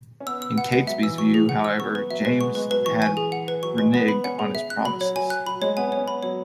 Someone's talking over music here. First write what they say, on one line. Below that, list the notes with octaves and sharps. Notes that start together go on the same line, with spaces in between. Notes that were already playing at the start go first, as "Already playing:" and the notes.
In Catesby's view however, James had reneged on his promises.
C#4
B3 E6
E6
B3 F#5
G#3 F#5
F#3 E5
E3 E6
F#3 C#6
G#4
F#5
E6
B3 C#6
B4
F#3 E5
G#3 B4
B3 C#6
G#3 B4
F#3 B4
E3 C#6
G#5
G#4
F#5
B4
F#3 C#6
G#3 B4
B3 B4
B5
C#4 F#5
G#4
E5
F#6
F#3 B5
F#3 C#5
F#3 G#5
F#6
F#3 B5
G#3 C#5
B3 G#5
B3
C#5
C#4
B3 B5
F#3 C#5